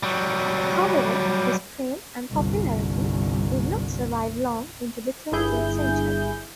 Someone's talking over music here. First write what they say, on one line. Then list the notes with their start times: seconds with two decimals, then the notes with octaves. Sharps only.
However, his fame and popularity did not survive long into the twentieth century.
0.03 F#3 G3
2.31 G1 C2
5.32 G1 G2 E4 G#4 G6